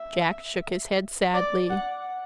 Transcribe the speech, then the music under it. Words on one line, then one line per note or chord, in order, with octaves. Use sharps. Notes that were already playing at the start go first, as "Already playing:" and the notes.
Jack shook his head sadly.
Already playing: E5
D5
F#5